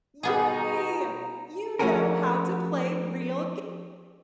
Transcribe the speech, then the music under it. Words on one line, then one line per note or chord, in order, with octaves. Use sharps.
Yay! You know how to play real
B2 G3 B3 D#4 G#4
A#5
F3 A3 C#4 F#4 G#4 A#4